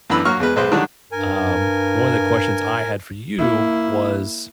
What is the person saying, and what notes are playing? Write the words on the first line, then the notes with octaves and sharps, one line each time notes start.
Um, one of the questions I had for you was,
F#2 E3 B3 D4 B5 E6
F#3 A#3 F#4 C#6 F6
E2 G#3 B4
B1 G#3 B4 C5
D3 D#3 F#3 G3 D4
G2 A#4 G#5
A#3 E4